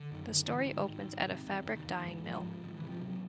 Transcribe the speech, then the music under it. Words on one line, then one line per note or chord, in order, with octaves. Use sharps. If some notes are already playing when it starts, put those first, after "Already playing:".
The story opens at a fabric dyeing mill.
Already playing: D3
F#2 D#3
D3
G#2 E3
G#2 D#3
G#2
G#2
C3
E2
E2 D#3
E2
G#2 E3
G#2 F3
G#2
G#2 D#3
E3
C3
F3
C3 F#3